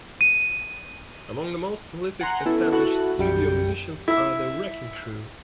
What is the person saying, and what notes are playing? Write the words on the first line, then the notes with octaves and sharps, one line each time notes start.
Among the most prolific established studio musicians are The Wrecking Crew.
D#7
F#5 G#5 A#5 C6
B3 C#4 E4 F#4 A4
E4 F#4 A4 F#6
B1 F#2 G3 G5 C#7
E4 E5